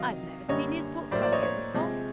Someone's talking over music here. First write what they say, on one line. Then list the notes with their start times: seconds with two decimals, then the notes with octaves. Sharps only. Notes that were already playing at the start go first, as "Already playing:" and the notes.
I've never seen his portfolio before.
Already playing: C3 D#3 F#3 D#5 F5
0.48 F#2 D3 G3 A#3 C#5 D#5
1.11 A2 F#3 A#3 C5 D5
1.22 C5 D5
1.32 C#5 D#5
1.43 C#5
1.74 C3 F3 G#3